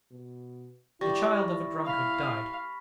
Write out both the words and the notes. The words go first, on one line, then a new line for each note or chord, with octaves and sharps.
The child of a drunkard died.
B2
G3 E4 C#6 A6 A#6
F5 B5 F6 B6